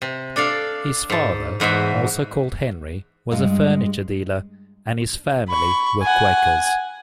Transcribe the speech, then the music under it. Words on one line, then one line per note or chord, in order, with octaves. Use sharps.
His father, also called Henry, was a furniture dealer, and his family were Quakers.
C3
D4 A4 D5 F5
G#2 A5
E2 G#2 F#4 E5
G2 G#3 F4
B5 C#6
F#5 G#5